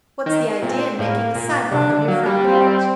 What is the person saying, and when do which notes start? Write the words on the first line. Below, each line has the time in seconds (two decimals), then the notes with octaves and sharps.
What's the idea in making a sidewalk of your front porch?
0.26 D#3
0.62 A#2 C4
0.98 A2 A#3
1.35 A#2
1.72 C3 D4
1.90 D3
2.08 F#3 A#3
2.26 G3
2.45 C4